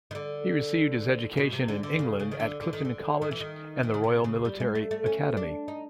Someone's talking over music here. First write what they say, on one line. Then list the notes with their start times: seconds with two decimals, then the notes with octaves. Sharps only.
He received his education in England at Clifton College and the Royal Military Academy.
0.11 D#3
0.15 D3
1.37 B2
1.53 C3
1.68 D3
1.83 D3
1.99 C#3
2.20 C#3
2.32 D#3
2.40 D3
2.61 D3
2.73 D#3
2.85 D3
3.22 D#3
3.31 E3
3.40 D#3
3.83 D#3
3.94 C#3
4.04 C3
4.24 C#3
4.45 G3
4.60 G#3
4.75 A3
4.91 A3
5.06 C#4
5.37 D4
5.68 D#4